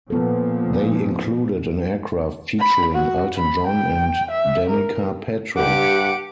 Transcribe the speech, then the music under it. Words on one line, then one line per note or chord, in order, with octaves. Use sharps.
They included an aircraft featuring Elton John and Danica Patrick.
A#2 F3 B3 A4
B5
F#4
B5
G5
E5
A#4
G2 G4 F#5 D6